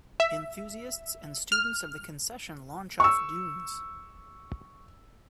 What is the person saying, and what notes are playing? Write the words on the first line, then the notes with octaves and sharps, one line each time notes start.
Enthusiasts and students of the concession launch off dunes.
E5
F6
C#6 E6